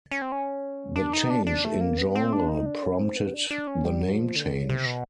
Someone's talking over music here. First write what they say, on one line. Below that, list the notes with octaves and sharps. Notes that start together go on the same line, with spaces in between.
The change in genre prompted the name change.
C#4
C4
C#4
D4
D#4
D4
D4
A3
A#3
B3
C4
D4
D#4
D4
C#4
C4
B3
D4
D4
C#4
G3
F#3
F3
D3
C#3
C3
B2